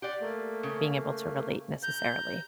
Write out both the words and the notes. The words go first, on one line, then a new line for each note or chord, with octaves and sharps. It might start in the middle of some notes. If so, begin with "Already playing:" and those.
being able to relate necessarily.
G4 D5 F#5 C6
A3 A#3
C#3
A#5 G6